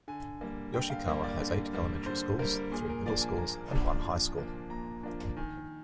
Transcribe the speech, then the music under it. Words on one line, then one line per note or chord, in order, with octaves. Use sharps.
Yoshikawa has eight elementary schools, three middle schools and one high school.
D3 G#5
G3 A#3
D3 G5
F5
G3 A#3
D5
D3
G3 A#3
D3 C5
G3 A#3 A#4
A#2 G#4
A#4
F3 A#3 D4 D5
G#5
A#2 A#5
F3 A#3 D4
A#2
F3 A#3 D4
A#2 A#5
F3 A#3 D4
D#3 G#5